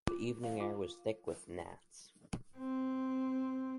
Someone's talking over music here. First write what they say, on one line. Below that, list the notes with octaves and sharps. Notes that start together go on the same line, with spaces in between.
The evening air was thick with gnats.
F4
F5
F4
C4